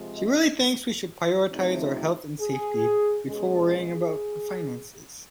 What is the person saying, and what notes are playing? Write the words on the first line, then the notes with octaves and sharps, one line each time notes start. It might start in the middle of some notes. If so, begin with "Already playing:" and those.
She really thinks we should prioritize our health and safety before worrying the finances.
Already playing: C3 F3 G#3
D#5
C3 F3 A3 C4 D#4
G#4
B2 G#3 C#4 G#4